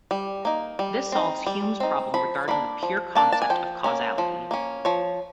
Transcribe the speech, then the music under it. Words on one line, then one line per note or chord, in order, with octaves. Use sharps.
This solves Hume's problem regarding the pure concept of causality.
G3
A#3 D#4
G3
C4 D#4
G3
C4 D#4
F3 B5
A#3 D4 B5
F3
A#3 D4 A5
A5
G#5
F3 G5
A#3 C#4
F3
A#3 C#4
F3 C#5